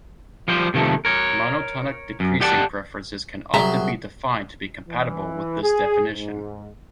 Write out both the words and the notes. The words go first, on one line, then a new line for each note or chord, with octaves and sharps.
Monotonic decreasing preferences can often be defined to be compatible with this definition.
F3 G3 C5
C3 D#3 F3 A3
A#4 C#5
F#2
G4 D5 F#5 A5
C2 F#3 G#4 E5 A#5
E3
G#4
G#2